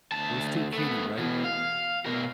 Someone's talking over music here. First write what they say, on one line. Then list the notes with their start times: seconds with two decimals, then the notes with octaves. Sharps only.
It was too kiddy, right?
0.12 D2 A5
0.73 A3 B3
1.18 B2 E3
1.44 F5
2.06 B2 A#4